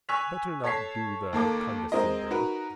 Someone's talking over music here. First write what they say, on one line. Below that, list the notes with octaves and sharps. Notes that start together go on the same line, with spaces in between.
Better not do the condescending.
G#5 C#6 E6 F#6 B6 F7
A4 C#5 A5 B6 C7
D#2 A#3 A4 D6
G#3 C4 A#4 D#5
D#4 F#4 A#4 B4